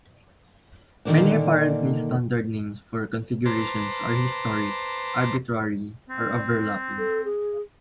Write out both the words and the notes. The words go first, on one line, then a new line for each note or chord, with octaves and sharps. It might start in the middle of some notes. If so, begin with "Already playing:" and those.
Many apparently 'standard' names for configurations are historic, arbitrary, or overlapping.
A#2 D3 D#3 G3 A#3 D4
B4 C5 A5 A#5 C6 D6
C4
A4
G#4